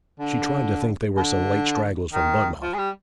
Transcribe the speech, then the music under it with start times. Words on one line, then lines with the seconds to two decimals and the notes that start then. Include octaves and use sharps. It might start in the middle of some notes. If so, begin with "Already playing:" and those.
She tried to think they were some late stragglers from Budmouth.
0.19 D3
1.17 D3
2.13 D#3
2.63 F3
2.74 G#3
2.79 G3